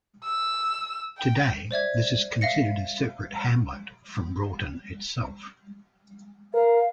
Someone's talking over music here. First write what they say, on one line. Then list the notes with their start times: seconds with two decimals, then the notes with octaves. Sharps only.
Today, this is considered a separate hamlet from Broughton itself.
0.24 E6
1.19 G5
1.71 C5 D5 E5 G#6
2.41 E5 F5 A#6 C#7
6.54 A#4 F5